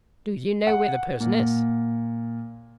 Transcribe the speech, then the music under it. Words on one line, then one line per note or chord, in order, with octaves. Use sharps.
"Do you know where the person is?"
F#5
A#2